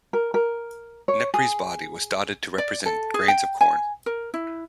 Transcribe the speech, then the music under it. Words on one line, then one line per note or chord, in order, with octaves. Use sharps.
Nepri's body was dotted to represent grains of corn.
A#4
A#4
C#5
G#4
D5
A4
G#4
G5
G#5
A#4
E4